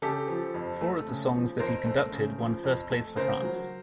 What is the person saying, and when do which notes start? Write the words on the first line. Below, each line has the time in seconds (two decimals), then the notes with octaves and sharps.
Four of the songs that he conducted won first place for France.
0.02 C#3 G4 A4
0.28 F3
0.54 F2
0.81 A3
1.08 C#3
1.33 F3
1.59 F2 A#4 C5
1.86 A3
2.12 C#3
2.38 F3
2.64 F2
2.90 A3
3.16 C#3 A#4 C5
3.42 F#3